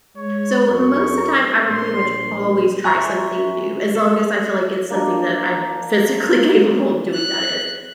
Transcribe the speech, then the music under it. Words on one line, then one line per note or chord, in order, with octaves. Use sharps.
so, most of the time, I will, pretty much, always try something new as long as I feel like it's something that I'm physically capable of doing, that is.
G#3 C#5
F#2 C#6
A#1 C6
E5 G#5 A#5 C6 C#6 F#6
A4
A#3 D4 D#5
F#6